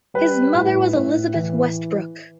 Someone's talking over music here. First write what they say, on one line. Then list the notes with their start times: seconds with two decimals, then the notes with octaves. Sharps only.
His mother was Elizabeth Westbrook.
0.14 G3 B4
0.54 A2
0.95 A2
1.34 E3